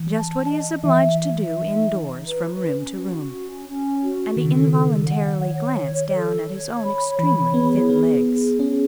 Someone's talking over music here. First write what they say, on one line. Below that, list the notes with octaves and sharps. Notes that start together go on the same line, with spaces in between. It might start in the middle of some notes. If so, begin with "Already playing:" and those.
"Just what he is obliged to do indoors from room to room." And he involuntarily glanced down at his own extremely thin legs.
Already playing: E3
A5
D#5
E3 E5
E5
D#4
D#4
B4
C#4
F#4
C#4
C#4
F#4
D#3 A4
C#3
D#3
A4
F#5
C#5
C#5
A4
C#5
B5
E3 C#5
B3 G#4
B3 E4
G#4
C#4 G#4